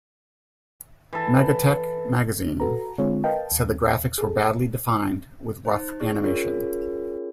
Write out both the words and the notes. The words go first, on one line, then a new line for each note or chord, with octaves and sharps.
"MegaTech" magazine said the graphics were "badly defined with rough animation".
E3 A4
F#4 A4 B4 A#5
D3 G#3 C4 F4 G#4 C#5
A#4 B4 D#5 F5 G5 A5
D#2
G#4 A4
D#4 C5
G#4 D5 C#6
C#4 F4 G#4 A#4 C#5